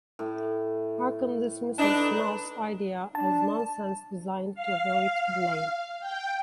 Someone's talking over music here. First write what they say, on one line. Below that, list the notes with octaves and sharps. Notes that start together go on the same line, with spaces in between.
Harken dismisses Mal's idea as nonsense designed to avoid blame.
A2
D4 D#4 A4 B4
D4 A5
F5
G5